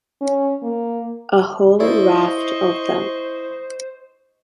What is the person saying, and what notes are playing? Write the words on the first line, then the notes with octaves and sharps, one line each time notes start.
A whole raft of them.
C#4
A#3
E4 C5 D5 D#5 C#6